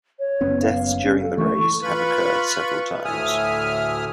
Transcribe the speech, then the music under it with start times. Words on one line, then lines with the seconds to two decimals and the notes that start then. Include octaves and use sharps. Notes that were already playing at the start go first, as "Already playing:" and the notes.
Deaths during the race have occurred several times.
0.19 C#5
0.41 F#1 B3 C#4
0.62 F5
1.02 C#4
1.21 A4
1.38 E3 A3 C#6
1.83 F4 B4 B5 C#6
3.05 D2 A2 E5 G#5 D#6 F6